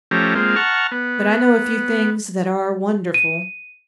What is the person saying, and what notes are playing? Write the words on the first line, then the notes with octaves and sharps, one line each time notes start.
But I know a few things that are wonderful.
F3 A3 C#4 G4 A#5
G#3 A#3 C4 F4
F#5 A5 A#5 C#6 F6
B3
D#7